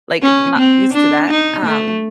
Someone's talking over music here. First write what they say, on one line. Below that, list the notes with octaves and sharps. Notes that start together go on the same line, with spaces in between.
like, I'm not used to that, um,
C#4
C4
D4
D#4
A3